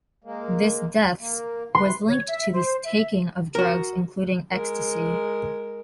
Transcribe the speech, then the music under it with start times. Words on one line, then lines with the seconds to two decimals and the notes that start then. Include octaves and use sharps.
This deaths was linked to the taking of drugs including ecstasy.
0.24 G#3 A#3
1.19 A#3
1.75 C3 B4 C6
2.08 C#5
2.28 E5
2.53 C5
2.84 E5
3.55 F#4 A#4
4.51 G#3 A#4